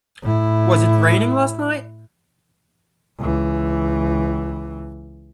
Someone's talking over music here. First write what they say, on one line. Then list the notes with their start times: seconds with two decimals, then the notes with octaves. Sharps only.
Was it raining last night?
0.22 A2 E4
3.19 C#2 E3